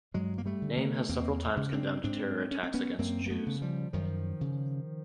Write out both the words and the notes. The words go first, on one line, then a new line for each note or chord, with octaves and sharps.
Naim has several times condemned terror attacks against Jews.
G2 F#3 G#3
A#3
G3 A3
D3
A3 B3
E2 A#3 C4
C#3
C4 D4
G#2 C4 D4
C#4
C4
B3 C#4
F#2 A#3 C4
A#3
A3 B3
C#3
F3 G3
F#2 D#3 F3
C#3